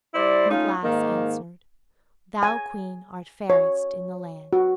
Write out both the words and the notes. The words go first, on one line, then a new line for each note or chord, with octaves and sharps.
And the glass answered, "Thou, Queen, art fairest in the land."
G3 E4 C5 D5
A3 C#4 D#4 F4
G#2 D#3 A#3
G#5
C#5
F#4